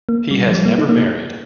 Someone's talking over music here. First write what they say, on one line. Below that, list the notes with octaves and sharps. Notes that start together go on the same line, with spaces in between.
He was never married.
A#3
G3
F3
G3
A#3
D#4
A#3